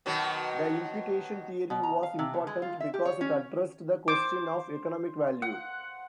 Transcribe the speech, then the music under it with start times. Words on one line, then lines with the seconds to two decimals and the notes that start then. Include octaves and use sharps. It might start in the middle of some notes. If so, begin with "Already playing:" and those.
The imputation theory was important because it addressed the question of economic value.
0.06 B2 D#3 F#3
1.70 B2
1.83 A#5
2.03 F5
2.19 C3
2.34 B2
2.47 G#3
2.62 F4
2.80 E5
2.94 G4
3.05 C#5
3.21 C#4
4.08 C5 D6
5.42 F#5